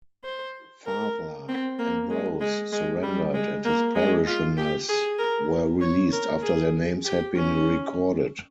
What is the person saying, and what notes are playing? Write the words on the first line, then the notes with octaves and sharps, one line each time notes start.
Father Ambrose surrendered, and his parishioners were released after their names had been recorded.
C5
A#4
C4
A#3
G#3
G#3
G#3
G3
G#3
A#3
G#3
F4
G4
G#4
A#4
C#5
A#4
G#4
G4
C#4